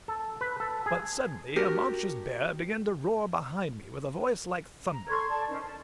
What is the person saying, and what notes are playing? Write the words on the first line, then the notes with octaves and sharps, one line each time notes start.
But suddenly a monstrous bear began to roar behind me, with a voice like thunder.
A4
B4
A4
G#4
D4 F#4 G4 A#4
A#5
A4 C6 C#6 G#6
D5 A5
C#4 D#4 A#4 C5
A5